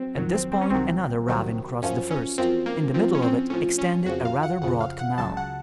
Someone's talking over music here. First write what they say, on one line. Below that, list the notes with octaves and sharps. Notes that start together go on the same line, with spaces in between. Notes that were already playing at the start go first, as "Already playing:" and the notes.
At this point another ravine crossed the first; in the middle of it extended a rather broad canal.
Already playing: F#3 C4
F2 D#3 F#3
C4
C4
C#4
C2 C3 D#3 F#3 C4
C2 C3 D#3 F#3
F#2 F3 C#4
C#4
F#2 F3 C4
A#3
A2 F3 C4
C#4
C4
A2 F3 C#4
C#4
F2 C#3 F3 F#4
F5
F#5
F2 C#3 F3 F#5
F5
F#5
C#2 C#3 F#3 A5
F#5